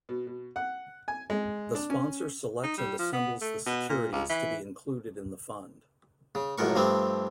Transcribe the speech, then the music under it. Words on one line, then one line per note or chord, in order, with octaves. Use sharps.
The sponsor selects and assembles the securities to be included in the fund.
B2
B2
F#5
G#5
G#3
D4
C#4
D#4
G3
F3
B3
A3
B2
A#2
C#2
E3
C#3
C#2 F#2 A2 A#4 C#6
G2 F3 G3 A3 C4